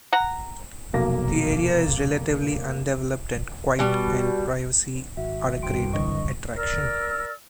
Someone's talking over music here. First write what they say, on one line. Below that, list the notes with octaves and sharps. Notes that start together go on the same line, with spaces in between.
The area is relatively undeveloped and quiet and privacy are a great attraction.
F#5 A#5
F1 B1 F#3 A#3 A#6
B2 G3
G#1 F#4 E5
C2 G2 G5 C6 D7
F#1 D3 E3 D#5 C#6
A#4 D5 E6